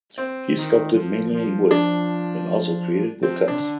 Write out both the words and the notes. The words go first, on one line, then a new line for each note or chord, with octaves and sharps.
He sculpted mainly in wood and also created woodcuts.
C4
D#3
F3
F3
D4
F3 C4
C3 D4
D3